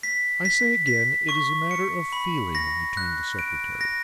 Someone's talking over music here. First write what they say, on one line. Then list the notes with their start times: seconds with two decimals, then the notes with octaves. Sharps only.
'I say again, it is a matter of feeling,' returned the Secretary.
0.03 B6
0.45 B6
0.87 B6
1.29 C#6
1.71 C#7
2.13 B5
2.55 A#6
2.97 F#6
3.39 D7
3.81 A#6